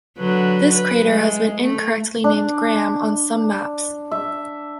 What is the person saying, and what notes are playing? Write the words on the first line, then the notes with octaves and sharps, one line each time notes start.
This crater has been incorrectly named 'Graham' on some maps.
D3 F#3 B4
B4
G#3
A3
D4
E5